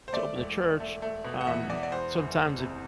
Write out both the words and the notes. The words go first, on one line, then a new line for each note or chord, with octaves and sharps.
to open the church, um, sometimes if
C5
A3 D5
E1
E1
A3
A3
B2
F#5
E2 E5
E2 D5
D5
E2 C5
F#1
F#1
C3